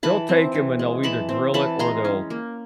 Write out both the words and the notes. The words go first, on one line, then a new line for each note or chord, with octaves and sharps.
they'll take 'em and they'll either grill it or they'll
E3 A5 B5
C4
E3
G#3
E3 A5 B5
C4
E3 A5 B5
G#3 A#5 C6
C#4
A#3